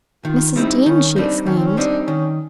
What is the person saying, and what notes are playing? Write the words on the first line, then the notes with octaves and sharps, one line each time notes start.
Mrs. Dean!' she exclaimed.
D#3 F4
G3 C4 D#4 E4
D#3 C#4
G3 C4 D4 D#4
D#3 C#4
C4
C#4
G3 C4 D4 D#4
D#3 C#4